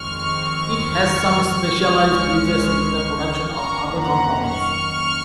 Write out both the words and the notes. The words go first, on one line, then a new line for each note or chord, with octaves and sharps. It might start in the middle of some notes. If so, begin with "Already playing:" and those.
It has some specialized uses in the production of other compounds.
Already playing: F2 D#3 G#3 C4 C#6 F6
C#2 C#3 G#3 C#4
F2 D#3 F#3 A#3 C#4 A#5 C#6
F#5 A#5
C#6 F6